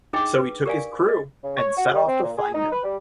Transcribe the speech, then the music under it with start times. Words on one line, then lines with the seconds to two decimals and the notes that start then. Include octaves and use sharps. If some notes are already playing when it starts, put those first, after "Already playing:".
So he took his crew and set off to find him.
0.13 D4 D#4 G#4 D#5 G5 D6
0.34 B4
0.66 G4 A#4 D5 F5 G#5
1.08 D#5
1.43 C#3
1.57 C#5
1.77 F#4
1.93 G3
2.08 C4
2.23 A#2
2.38 G#4
2.54 D#4
2.72 B4
2.84 G3